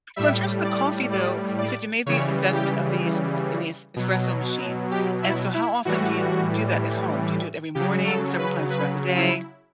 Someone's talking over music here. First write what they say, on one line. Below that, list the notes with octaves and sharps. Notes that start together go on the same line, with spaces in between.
Well, just the coffee, though, you said you made the investment of the es with in the es espresso machine, and so how often do you do that at home? Do you do it every morning, several times throughout the day?
A2 G3 E5
D5
D5
D5
C#3 E3 G3 C#5
G4
B2 F#3
G4
E4
E4
A2 E3 G3 F#4
C#3 F#3 G4
A4
B4
B4
E4